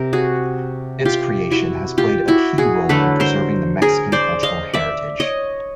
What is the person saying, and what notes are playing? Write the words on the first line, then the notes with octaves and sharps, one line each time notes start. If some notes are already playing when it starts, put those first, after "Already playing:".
Its creation has played a key role in preserving the Mexican cultural heritage.
Already playing: C3 A#4
F#4 G#4
F4 G4
E4 F#4
F4 G4
E4 F#4
F#4 G#4
D3 F#3 A3 A4 B4
A#4 C5
G#4 A#4
C5 D5
D#5 F5
D5 E5
C#5 D#5